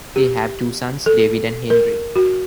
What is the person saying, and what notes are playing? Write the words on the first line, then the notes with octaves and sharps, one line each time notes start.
They have two sons, David and Henry.
G4
A4
A#4
F#4